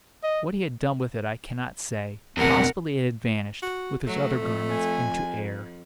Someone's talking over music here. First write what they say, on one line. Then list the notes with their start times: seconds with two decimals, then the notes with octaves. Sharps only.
What he had done with it I cannot say; possibly it had vanished, with his other garments, into air.
0.23 D#5
2.37 E2 C3 A#4 F#5
3.63 F#4
4.07 F#3 A3
4.38 F2
4.71 G#5